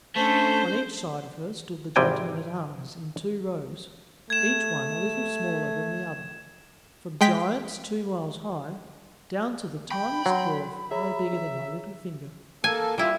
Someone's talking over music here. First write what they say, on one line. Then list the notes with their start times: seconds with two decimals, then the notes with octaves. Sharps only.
On each side of her stood the gentlemen-at-arms in two rows, each one a little smaller than the other, from giants two miles high, down to the tiniest dwarf no bigger than my little finger.
0.16 A3 C#4 D4 C5 A5
1.96 G#1 C3 G3 G5 G#5
4.30 A3 G#6 E7
7.21 G#3 G5 B6
9.91 G5 B5
10.26 F#3 F#5 C6
10.91 G#4 C#5 E5 A#5
12.64 A#3 A4 G#5
12.98 G3 E4 F4